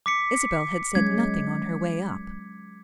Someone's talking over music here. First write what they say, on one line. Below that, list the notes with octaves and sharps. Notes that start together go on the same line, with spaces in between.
Isabel had said nothing on her way up.
D6 B6 C#7
F#3 G#3 C#4 G#6